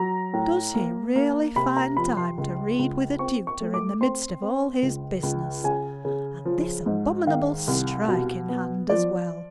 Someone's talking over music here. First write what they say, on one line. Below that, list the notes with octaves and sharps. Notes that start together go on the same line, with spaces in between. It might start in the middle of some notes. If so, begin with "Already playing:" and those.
Does he really find time to read with a tutor, in the midst of all his business,--and this abominable strike in hand as well?'
Already playing: F#3 A#5
A2
A#3
A#3
C3 B5
A#5
F3 B5
C6
C#2
C#2
C4 C#6
C#6
A3
D6
C4 C6
C4
C#2
C#2
C#3 G#5
C#3
F3
G#2
D#3 F5
C2
B2
B3
F3 D5